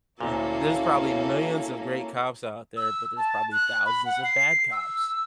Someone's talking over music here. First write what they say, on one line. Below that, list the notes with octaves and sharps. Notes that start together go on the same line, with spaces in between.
there's there's probably millions of great cops out there, but there's probably thousands of bad cops,
D2 A#2 A#3 C#4 E4 F#4 A4
E6
A5
F#6
B5
F#5
C7
E6